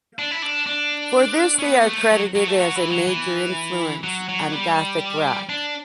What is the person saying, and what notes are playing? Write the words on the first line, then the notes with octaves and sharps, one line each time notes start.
For this they are credited as a major influence on gothic rock.
D4
E4
D4
D4
C#4
B3
A3
F#3
F#3
A3
F#3
E3
F#3
E3
F#3
F#3
G3
D4